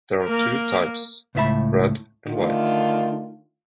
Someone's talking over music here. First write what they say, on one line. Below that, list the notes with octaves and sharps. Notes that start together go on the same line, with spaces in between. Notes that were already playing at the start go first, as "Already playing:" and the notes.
There are two types: red and white.
A#3 A#4
C#2 A2 B3 E5 A5 B5
D3 D#3 A3 F4